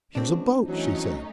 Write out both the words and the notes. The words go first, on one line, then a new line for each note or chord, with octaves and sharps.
"Here's a boat!" she said.
C#2 C4 D4
E3 F#3 A3 C#4 D#4